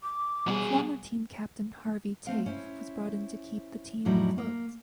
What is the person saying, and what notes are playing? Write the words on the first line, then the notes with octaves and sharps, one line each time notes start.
Former team captain Harvey Tafe was brought in to keep the team afloat.
D6
B2 G3 G#4
A3 C4 F5
C#4 E4 C5
F2 A2 F#3 G3 D#4 E4
A#3